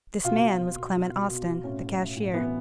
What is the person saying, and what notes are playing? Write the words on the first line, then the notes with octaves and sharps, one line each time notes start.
This man was Clement Austin, the cashier.
B2 F4
B2
B2
B2
B2
B2
B2
B2
A2 C#4
A2
A2
A2
E3 B3